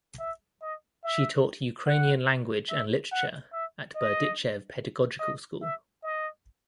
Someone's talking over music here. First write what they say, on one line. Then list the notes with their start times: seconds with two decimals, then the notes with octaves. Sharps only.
She taught Ukrainian language and literature at Berdichev Pedagogical School.
0.19 E5
0.62 D#5
1.04 E5
1.86 F#5
2.70 E5
3.12 F#5
3.52 E5
3.95 D#5
5.19 D#5
5.62 E5
6.03 D#5